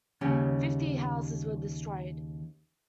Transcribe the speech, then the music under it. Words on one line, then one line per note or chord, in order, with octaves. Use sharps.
Fifty houses were destroyed.
D#2 C#3 G3 C#4